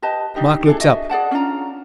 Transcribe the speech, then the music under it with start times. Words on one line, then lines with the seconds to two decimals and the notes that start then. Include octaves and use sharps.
Mike looked up.
0.02 G4 B4 D#5 A5
0.35 D4 D#4 G4 D#5
0.66 D4 E4 G#4 A4
0.80 F#4 D#5 E5
1.10 G#4 D5 F#5 A5
1.31 C#4 D4 F4 A#5